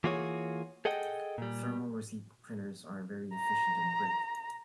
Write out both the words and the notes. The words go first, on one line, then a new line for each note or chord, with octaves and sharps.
Thermal Receipt Printers are very efficient and quick.
E3 A#3 F4 F#4 G#4 C#5
G#4 A4 D#5 F#5 G5
A#2 G3
A#5